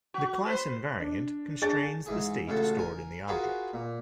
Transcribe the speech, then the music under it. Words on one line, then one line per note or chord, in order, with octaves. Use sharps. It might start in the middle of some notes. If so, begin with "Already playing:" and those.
The class invariant constrains the state stored in the object.
F#4
B4 C5
D4
D4 G#4 G#5 A5 A6
G#2 E3 G#4
A1 C#3 F4 F#4 A4
A#4 G#5
F4 F#4 G#4 A#4 B4
A#2